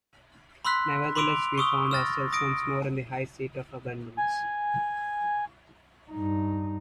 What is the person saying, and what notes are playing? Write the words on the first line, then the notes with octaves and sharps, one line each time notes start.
Nevertheless we found ourselves once more in the high seat of abundance.
B5 C6 E6 F#6 B6
B5 C6 D6 E6 D7 F7
C#6 D#6 E6 G7
E6 F6 A6 A#6
D#6 A#6 D7
G#5
G2 D#4